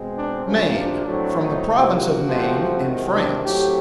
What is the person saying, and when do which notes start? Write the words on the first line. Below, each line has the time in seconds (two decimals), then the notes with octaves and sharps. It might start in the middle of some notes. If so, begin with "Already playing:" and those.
Maine--From the province of Maine, in France.
Already playing: B2 G#3 C4
0.16 D4
0.45 D2 C3 F3 A#3 C#4
0.76 D4
1.06 A2 F#3 A3 C4
1.36 D#4
1.65 C2 C3 F3 A#3
1.95 F#4
2.24 C#2 C3 F3 A3 C4
2.85 C2 C3 D#3 G#3
3.14 D4
3.44 A2 F#3 A3 C4 G4